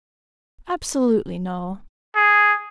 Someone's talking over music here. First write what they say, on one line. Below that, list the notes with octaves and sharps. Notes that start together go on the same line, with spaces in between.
"Absolutely no."
G#4